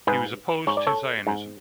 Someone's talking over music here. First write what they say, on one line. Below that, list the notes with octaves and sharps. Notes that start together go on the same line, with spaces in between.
He was opposed to Zionism.
G#2 G#4 B4
G#2 C#5
D5
A4 C#5
G#2